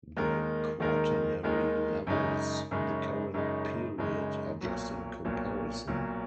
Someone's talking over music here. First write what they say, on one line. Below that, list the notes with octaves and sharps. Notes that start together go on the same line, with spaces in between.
The Quaternary levels, the current period, are just in comparison.
D#2 D#3 G#3 D#4 A#4
D#2 D#3 G#3 D#4 A#4
D#2 D#3 G#3 D#4 A#4
F#2 C#3 G#3 D#4
F#2 C#3 G#3 D#4
F#2 C#3 G#3 D#4
F#2 C#3 G#3 D#4
B1 A#2 F#3
B1 A#2 F#3
B1 A#2 F#3